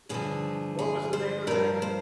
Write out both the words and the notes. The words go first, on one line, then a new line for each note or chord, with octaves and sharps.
W w what was the name of that again?
G2 D3 F3 G#4
G#4
C5
G2 F3 A#4
C5